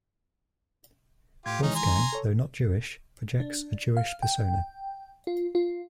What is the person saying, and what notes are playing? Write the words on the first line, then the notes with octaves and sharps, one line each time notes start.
Wolfgang, though not Jewish, projects a Jewish persona.
A2 F4 G4 G#6
D#3 E3 G#3 C#4 D#4
G#5 A#5 C6
A4 C#5
D4
F5
G5
F4
F4